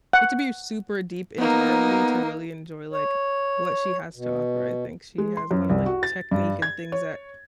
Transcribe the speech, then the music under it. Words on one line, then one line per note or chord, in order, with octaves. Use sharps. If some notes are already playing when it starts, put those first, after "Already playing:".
you have to be super deep into R&B to really enjoy, like, what she has to offer. I think she has a lot of, like, technique and things that
F#5
A#3 B3 D#4
C#5
B2
G#3
C6
F#2
C2
F#4
A6
G2
G#6
C#5